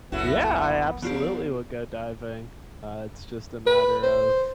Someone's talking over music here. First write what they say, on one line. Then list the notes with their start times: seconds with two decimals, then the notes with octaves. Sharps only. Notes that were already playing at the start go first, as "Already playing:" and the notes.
Yeah, I absolutely would go diving. Uh, it's just a matter of
0.12 F#1 C#2 C#3 A3 B3 E4 F#4
1.02 D3 F3 B3 F4 G4
3.66 B4
4.03 C5